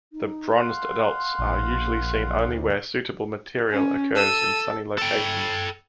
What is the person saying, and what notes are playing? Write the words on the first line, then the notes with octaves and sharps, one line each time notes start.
The bronzed adults are usually seen only where suitable material occurs in sunny locations.
D#4
F5 F#5 C6
A#1
D2
C#4
A4 E6 D#7
A4 G5